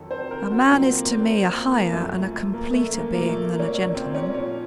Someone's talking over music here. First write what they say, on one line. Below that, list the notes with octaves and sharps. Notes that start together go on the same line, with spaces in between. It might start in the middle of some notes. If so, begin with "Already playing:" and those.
A man is to me a higher and a completer being than a gentleman.'
Already playing: F2 D#3 F#3 A4
C5
A#4
F#4
A#2 F#3 C4
A#3
C4
C4
A#3
A#3
F#2 F3 A3
A#3
A3
A#3
A#2 F#3 A#3
A3
A#3
C#4
C#4
C4
C#4
A#2 F3 C#4